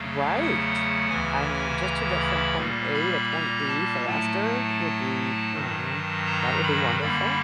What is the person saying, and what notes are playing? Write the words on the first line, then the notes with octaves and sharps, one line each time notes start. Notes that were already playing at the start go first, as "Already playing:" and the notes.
Right, I mean, just to get from point A to point B faster would be, you know, that would be wonderful.
Already playing: E2 C#3 F#3 A3 F5
F#5
D2 C#3 E3 G#5
A#5
B5
A#2 G3 A#3
B5
A#5
A5
A2 F#3 A3 A5
G2 D#3 F#3
A#5
B5
F#2 D3 G3 A#3 B5